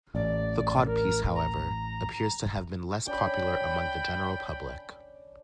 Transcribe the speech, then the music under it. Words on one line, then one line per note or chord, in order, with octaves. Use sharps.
The codpiece, however, appears to have been less popular among the general public.
A1 D5
A#4
A#5
C#4 D4 D5 G5 B5